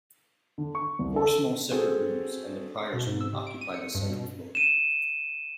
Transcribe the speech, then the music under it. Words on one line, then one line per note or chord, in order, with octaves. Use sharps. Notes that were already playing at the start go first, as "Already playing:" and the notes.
Four small separate rooms and the Prior's room occupied the second floor.
D3
C#6
C2
A4
C4 F#4 G#4 A4
B2
G#2
E6
C3
D7
D#7
C#7
G2
B2
D#7 E7